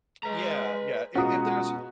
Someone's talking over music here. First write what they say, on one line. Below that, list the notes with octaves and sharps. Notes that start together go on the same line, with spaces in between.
Yeah, yeah. If if there's
G#3 B4 A#5
B2 G#3 C#4 F4 F#4 A#5 D#6